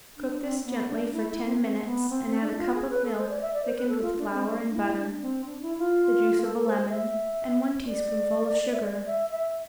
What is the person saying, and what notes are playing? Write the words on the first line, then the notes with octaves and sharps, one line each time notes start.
Cook this gently for ten minutes and add a cup of milk thickened with flour and butter, the juice of a lemon and one teaspoonful of sugar.
D4
C4
B3
D4
E4
E4
C4
C4
B3
C4
C4
D4
E4
F4
G#4
B4
A4
C5
D5
E5
D5
C5
B4
A4
F4
D4
C4
D4
E4
D4
C4
D4
E4
F4
A4
C5
E5
D5
E5
D5
E5
E5